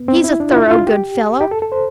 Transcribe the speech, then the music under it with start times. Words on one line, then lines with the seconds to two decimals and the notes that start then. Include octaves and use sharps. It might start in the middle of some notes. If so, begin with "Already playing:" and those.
He's a thorough good fellow.
Already playing: B3
0.08 C4
0.24 E4
0.40 D4
0.51 F4
0.56 E4
0.71 F4
0.87 G4
1.41 G4
1.51 A4
1.62 A4
1.72 C5